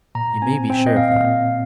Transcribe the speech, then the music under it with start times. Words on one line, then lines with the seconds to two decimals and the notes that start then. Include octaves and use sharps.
You may be sure of that.
0.15 A#2 A#5
0.42 C4 G#5
0.70 C4 G5
0.87 D#5
0.96 A#2 F5
1.24 A#2